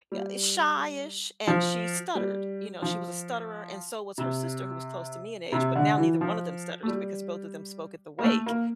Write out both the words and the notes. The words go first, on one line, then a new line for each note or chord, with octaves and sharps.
eh, shy-ish and she stuttered, you know, she was a stutterer and so was her sister who was close to me in age, but now neither one of them stutters, because both of them spoke at the wake,
G3
F3
G3
F3
C3
C3
D3
E3
F3
A3
G3
A#3
A3
A#3